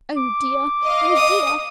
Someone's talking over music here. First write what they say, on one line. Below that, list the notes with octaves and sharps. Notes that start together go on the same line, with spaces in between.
Oh dear, oh dear!
D6
D#5 F5
D#6